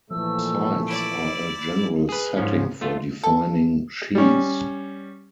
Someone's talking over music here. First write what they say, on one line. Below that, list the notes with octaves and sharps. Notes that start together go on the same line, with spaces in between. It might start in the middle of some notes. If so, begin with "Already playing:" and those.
Sites are a general setting for defining sheaves.
A#2 E3 F3 A3 E6
E4 D5 D7
G#4 B4
G#2 F3 C#4
A3 F4
A4
G3 C#4